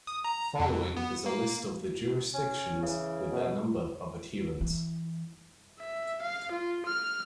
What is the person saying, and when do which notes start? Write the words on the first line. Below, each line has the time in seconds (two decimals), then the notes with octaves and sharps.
Following is a list of the jurisdictions with their number of adherents.
0.07 D#6
0.24 A#5
0.60 F2
0.97 B3
1.26 A#3
2.34 C#4
2.82 C#3 E3
3.30 B2
4.61 E3
5.80 E5
6.22 F5
6.51 F4
6.86 F6